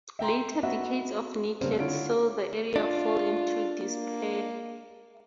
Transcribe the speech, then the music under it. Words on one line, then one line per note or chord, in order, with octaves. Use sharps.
Later decades of neglect saw the area fall into disrepair.
E5 G5 A#5 C6
B3 C#4 F#4 D#5 E5
G2 C#3 G3 A3 A#3 C4
D3 E4 F4 C#5 D7
D4 F4
A#3